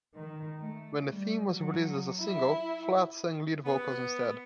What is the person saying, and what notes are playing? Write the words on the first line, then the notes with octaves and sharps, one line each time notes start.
When the theme was released as a single, Flatt sang lead vocals instead.
D#3
A3
G3
F#3
E4
B3